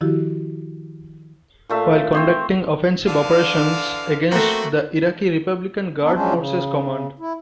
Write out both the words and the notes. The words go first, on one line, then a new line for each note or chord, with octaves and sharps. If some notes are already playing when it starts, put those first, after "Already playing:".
While conducting offensive operations against the Iraqi Republican Guard Forces Command.
D#3 F3 E4 F#4 G4
A#2 A3 E5 F5
C4 C5 C#5
D3 E3 F5
A3 A#3 C4 F#4
B3 D4 D#4
F3 F#3 G#3 C#4 D4 C5
C#3
E4